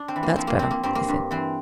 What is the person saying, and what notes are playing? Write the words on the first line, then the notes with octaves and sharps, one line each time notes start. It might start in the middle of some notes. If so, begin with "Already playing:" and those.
"That's better," he said.
Already playing: D4
C4
E3
A#3
F3 C4
A#3
F3 C4
A#3
G2 C4
A#3
G2
E3 C4